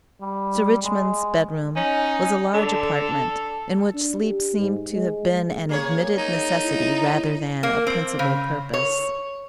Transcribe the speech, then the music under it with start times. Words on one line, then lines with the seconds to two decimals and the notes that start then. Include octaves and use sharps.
Sir Richmond's bedroom was a large apartment in which sleep seemed to have been an admitted necessity rather than a principal purpose.
0.21 G3
0.83 G#3
1.76 C#4 D#4
2.54 D3 A4
3.95 D4
4.23 G4
4.58 G#2
4.92 G#3
5.69 A#3 G#4 C#5
6.18 D#4
6.63 E4
7.63 A#3
7.87 C4
8.19 C#3
8.73 C#5